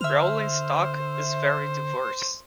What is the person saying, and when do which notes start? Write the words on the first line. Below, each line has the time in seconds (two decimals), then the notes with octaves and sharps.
Rolling stock is very diverse.
0.01 D3 C5 E5 F6